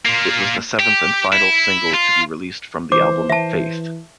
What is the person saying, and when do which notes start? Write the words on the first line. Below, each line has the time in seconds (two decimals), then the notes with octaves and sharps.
It was the seventh and final single to be released from the album "Faith".
0.06 A#3 F4
0.79 G4
1.33 E4
1.94 F4
2.92 E3 C5 D6
3.30 E3 E5 A5